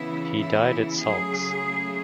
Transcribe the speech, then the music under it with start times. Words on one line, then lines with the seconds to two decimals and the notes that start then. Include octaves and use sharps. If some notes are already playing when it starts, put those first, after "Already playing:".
He died at Saulx.
Already playing: C#3 E3 B3 E4
0.38 E4
1.02 C#3 F#3 A3 G#4